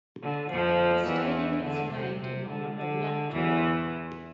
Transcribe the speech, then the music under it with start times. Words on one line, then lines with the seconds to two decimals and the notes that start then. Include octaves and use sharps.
The stadium is named in honour of Lat Jor.
0.22 D3
0.51 F2 F3
1.07 E2 E3
1.64 D3
1.92 C3
2.20 C3
2.48 D3
2.76 D3
3.32 E2 E3